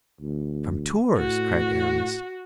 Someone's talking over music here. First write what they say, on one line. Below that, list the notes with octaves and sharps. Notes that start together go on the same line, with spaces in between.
"From Tours!" cried Aramis.
D2
A2 F#4